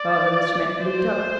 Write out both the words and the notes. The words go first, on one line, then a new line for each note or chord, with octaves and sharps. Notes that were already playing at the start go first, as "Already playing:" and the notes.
Father De Smet looked up.
Already playing: D5
C5